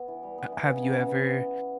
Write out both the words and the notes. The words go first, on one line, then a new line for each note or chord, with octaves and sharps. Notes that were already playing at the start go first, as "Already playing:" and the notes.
A have you ever
Already playing: B3
E3
G3
B3
E3
C#3
C#3
B3